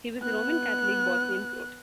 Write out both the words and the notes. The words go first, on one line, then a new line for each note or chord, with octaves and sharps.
He was a Roman Catholic Bosnian Croat.
B3 F#6